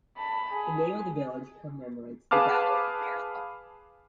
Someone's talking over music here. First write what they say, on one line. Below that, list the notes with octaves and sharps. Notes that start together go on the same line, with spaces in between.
The name of the village commemorates the Battle of Marathon.
A5 B5
G#4
G#4 B4 F5 A5 D6 F6